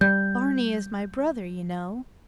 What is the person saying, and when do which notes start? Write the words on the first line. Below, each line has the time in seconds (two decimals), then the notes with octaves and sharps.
"Barney is my brother, you know."
0.01 G3 G6